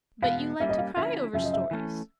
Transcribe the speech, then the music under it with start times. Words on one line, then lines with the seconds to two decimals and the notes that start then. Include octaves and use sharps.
"But you like to cry over stories?"
0.22 E2 B2 G#3 B3 E4 F5
0.60 G3 A#3 C#4 E5
0.69 D#5
0.78 F5
0.96 D3 F3 A#3 C#4 E4 E5
1.33 F#2 C#3 F3 E5
1.44 D#5
1.53 E5
1.71 E3 A3 C#4